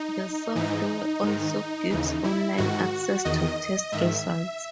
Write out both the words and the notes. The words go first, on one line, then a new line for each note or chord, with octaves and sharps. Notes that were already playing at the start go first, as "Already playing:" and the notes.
The software also gives online access to test results.
Already playing: D#4
G#2 E3 D#4
G#2 D#3
D#2 C#3 E3 D#4
E4
G#2 D#3 F#4
E2 D#3 D#5
G#2 D#3 E5